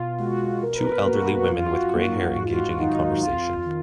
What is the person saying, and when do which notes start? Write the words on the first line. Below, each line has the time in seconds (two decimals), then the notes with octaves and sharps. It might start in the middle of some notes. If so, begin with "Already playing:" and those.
Two elderly women with gray hair engaging in conversation.
Already playing: B2 F4
0.19 G#3 F#4
0.62 B2 A#4
0.74 B4
0.86 A#4
1.06 A#3 F#4
1.39 F#4
1.49 F#2 F4
1.71 F#4
1.93 D#3 F#3 A#3 F#4
2.36 G#2 F#4
2.44 F4
2.51 F#4
2.79 D#3 F#3 D#4
3.22 F2 F4
3.66 D#3